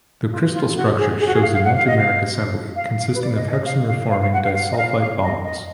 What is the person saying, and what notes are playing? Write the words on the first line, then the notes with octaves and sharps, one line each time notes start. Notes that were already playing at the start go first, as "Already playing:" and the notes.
The crystal structure shows a multimeric assembly consisting of hexamer-forming disulfide bonds.
F4
F4
F#4
G#4
G#4
F#4
G#4
F5
F5
F#5
F5
D#5
F5
F5
F5
B4
D5
D#5
D#5
F5
F5
F5
F5
F#5
F5
F5
D#5
F5
F5
D#5
D#5